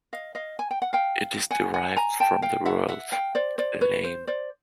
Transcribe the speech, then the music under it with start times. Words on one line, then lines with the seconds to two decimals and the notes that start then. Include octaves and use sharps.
It is derived from the word "lame".
0.13 D#5 F5
0.35 D#5 F5
0.59 G#5
0.71 G5
0.82 F#5
0.93 F5 G5
1.51 F#5 G#5
1.74 F#5 G#5
1.96 G#5 A#5
2.20 G5 A5
2.42 F5 G5
2.65 E5 F#5
2.88 E5 F#5
3.12 F5 G5
3.35 C5 D5
3.58 C5 D5
3.81 B4 C#5
4.04 C5
4.27 C5 D5